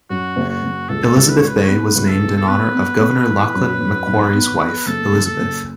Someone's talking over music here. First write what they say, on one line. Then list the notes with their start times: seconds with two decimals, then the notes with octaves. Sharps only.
Elizabeth Bay was named in honour of Governor Lachlan Macquarie's wife, Elizabeth.
0.10 F#2 F#4
0.36 F#1
0.50 F#4
0.63 F#1
0.89 C#2 A4
1.16 C#2
1.29 B4
1.38 C#2 C#5
1.48 B4
1.62 C#5
1.68 B3 B4
1.95 C#2
2.08 A4
2.22 B2
2.37 A4
2.48 B3 B4
2.74 B3
3.01 B3
3.27 E3
3.54 F#2
3.80 F#2
4.06 B1
4.33 B3
4.60 B3
4.86 F#1 A4
5.12 F#1
5.26 A4
5.39 F#1